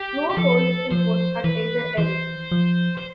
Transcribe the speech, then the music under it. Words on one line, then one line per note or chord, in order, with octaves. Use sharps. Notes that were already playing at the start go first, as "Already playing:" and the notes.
No toll is imposed at either end.
Already playing: G4
G4
F3 A4
F3 C5
E3 B4
E3 C5
F3
C5